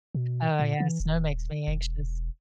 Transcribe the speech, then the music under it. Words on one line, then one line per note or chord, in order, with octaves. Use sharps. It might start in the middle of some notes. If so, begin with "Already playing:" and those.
Oh, yeah, that makes me anxious.
B2
A#2
E3
D#1
E1